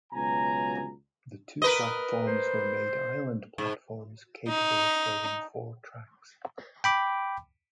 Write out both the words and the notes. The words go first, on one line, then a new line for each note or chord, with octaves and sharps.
The two platforms were made island platforms, capable of serving four tracks.
C#2 B2 F#3 G#5 A#5
A#4 B4 D#5
C5
G#2
D#4
G5 B5 D6